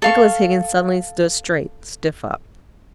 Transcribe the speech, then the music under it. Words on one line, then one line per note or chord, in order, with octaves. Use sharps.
Nicholas Higgins suddenly stood straight, stiff up.
A4 F5 C#6